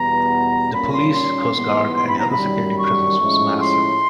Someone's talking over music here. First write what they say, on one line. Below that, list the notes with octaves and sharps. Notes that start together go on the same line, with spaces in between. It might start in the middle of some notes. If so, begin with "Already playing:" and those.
The police, Coast Guard, and other security presence was massive.
Already playing: E2 B2 G3 B3 A#5
A#2 G3 A#3 C#4 B5
C6
C6
G#2 E3 G3 B3
C6
B5
A#5
B5
F#2 D#3 G3
C#6
A2 F3 G#3 C#4 E4
C6